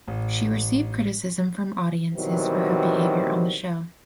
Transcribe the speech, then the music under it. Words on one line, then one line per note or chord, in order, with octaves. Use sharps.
She received criticism from audiences for her behaviour on the show.
A1
B2 D#3 E3 F#3 G3 C4